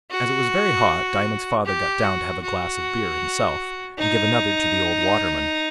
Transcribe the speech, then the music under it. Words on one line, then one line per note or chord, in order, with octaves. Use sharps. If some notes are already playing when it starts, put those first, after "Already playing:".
As it was very hot, Diamond's father got down to have a glass of beer himself, and give another to the old waterman.
F#4
G4
F#4
F#4
D#4